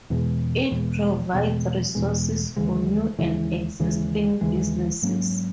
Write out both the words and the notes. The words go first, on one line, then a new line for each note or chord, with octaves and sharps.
It provides resources for new and existing businesses.
E2 B2 G#3
E2 B2 G#3
E2 B2 G#3
E2 B2 G#3
D#2 C#3 E3 G#3
D#2 C#3 E3 G#3
D#2 C#3 E3 G#3
D#2 C#3 E3 G#3
G#2 F#3 A#3 C#4